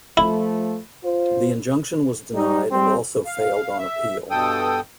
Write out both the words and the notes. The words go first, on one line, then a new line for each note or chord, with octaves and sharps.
The injunction was denied and also failed on appeal.
F3 A3 E4
F4 C5
G3 D#4
G3 C4
F5
E5
G2 B2 A4 G5 D#6